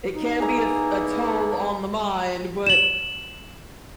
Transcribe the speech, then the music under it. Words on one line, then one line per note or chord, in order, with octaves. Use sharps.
it can be a f a toll on the mind, but
D#4
A#3 B3 E4 G#4 A#5
E7 F#7